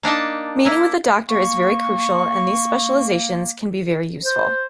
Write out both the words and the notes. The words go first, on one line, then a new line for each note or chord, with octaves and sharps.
Meeting with a doctor is very crucial and these specializations can be very useful.
A#3 D4 D#4 A5
A#3 E4
A#3 C#6
C5